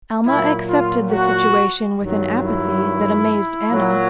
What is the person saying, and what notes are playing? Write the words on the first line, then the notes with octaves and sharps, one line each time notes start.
Alma accepted the situation with an apathy that amazed Anna.
A#2 F#3 E4
F4
F#4
G2 D#3 F#3
E4
A#2 F#3